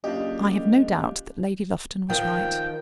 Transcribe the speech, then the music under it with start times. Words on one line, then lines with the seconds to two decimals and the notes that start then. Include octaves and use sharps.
I have no doubt that Lady Lufton was right.
0.04 F#1 D4 F4 G4 D#5
2.10 D#3 F3 G5